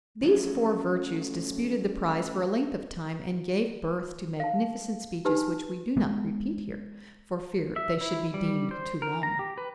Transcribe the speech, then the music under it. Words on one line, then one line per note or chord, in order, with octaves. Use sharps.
These four virtues disputed the prize for a length of time, and gave birth to magnificent speeches which we do not repeat here for fear they should be deemed too long.
F3 F#3 A3 C#4
F5 A5
D#4 G4 B4 G#5 A5
G#3 B3
E5
E4
G3
C5
A#4
A#5
G4
B4